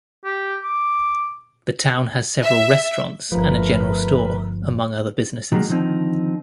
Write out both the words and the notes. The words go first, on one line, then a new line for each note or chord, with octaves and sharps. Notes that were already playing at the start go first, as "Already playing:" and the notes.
The town has several restaurants and a general store, among other businesses.
G4
D6
E5
G1 F3 A3 A#4 B4
D#3 F#3 G#3 A#3
D3 D#3 F3 C4 D#4